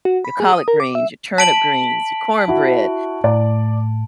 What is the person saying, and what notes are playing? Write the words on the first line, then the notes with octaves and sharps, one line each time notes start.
your collard greens, your turnip greens, your cornbread,
F#4
B5
G#4
D#6
A#4
D6
E5
A5 B6 D7 F#7
E4 F#4
A2 D5